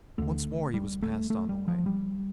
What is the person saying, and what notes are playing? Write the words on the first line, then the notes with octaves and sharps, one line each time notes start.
Once more he was passed on the way.
D2 D3 A3
G3
A3
A3
G3
F3
G3